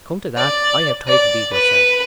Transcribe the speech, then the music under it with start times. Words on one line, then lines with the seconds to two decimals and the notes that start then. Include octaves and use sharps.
Come to that, I have title-deeds myself.
0.36 D5
1.07 D5
1.53 B4